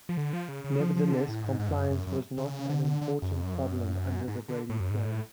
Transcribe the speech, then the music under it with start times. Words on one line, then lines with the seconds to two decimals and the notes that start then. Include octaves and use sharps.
Nevertheless, compliance was not an important problem under the Brady Plan.
0.09 F3
0.17 D3
0.33 F3
0.48 C#3
0.64 C#3
0.80 F3
0.96 F3
1.12 D3
1.28 A2
1.44 G#2
1.59 G#2
1.69 F2
1.75 F#2
1.91 F#2
2.07 F#2
2.38 C#3
2.69 D3
2.85 D3
3.02 D3
3.22 F#2
3.33 F2
3.44 F#2
3.54 F2
3.64 F#2
4.28 G#2
4.49 D3
4.70 A2
4.80 F#2
4.90 G#2
5.06 A2